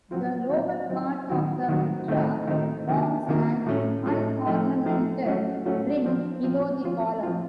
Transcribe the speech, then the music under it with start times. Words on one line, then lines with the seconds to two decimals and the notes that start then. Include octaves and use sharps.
The lower part of the mitra forms an unornamented rim below the column.
0.11 F#3 C4 F4
0.49 F#3 C4 D#4
0.89 F#3 C4 D#4
1.29 D#3 F#3 C4 F#4
1.68 D#3 F#3 C4 F#4
2.08 D#3 A3 C4 D#4
2.47 D#3 A3 C4 D#4
2.87 C3 D#3 A#3
3.26 C3 D#3 A#3
3.66 A2 A3 C#4
4.06 A2 A3 C#4
4.46 F3 A3 D#4
4.85 F3 A3 D#4
5.25 F#3 A3 C#4 F#4
5.65 F#3 A3 C#4 F#4
6.04 F3 C4 F4
6.43 F3 C4 F4
6.84 F3 C4 F4
7.23 F3 C4 F4